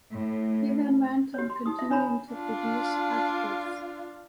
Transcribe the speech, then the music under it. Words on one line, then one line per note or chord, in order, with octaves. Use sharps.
He then went on continuing to produce articles.
A2
G4 C#5
C6
D#4 G4 D#6
F4 E5
D4 C#5 A#5 B5
D4 F4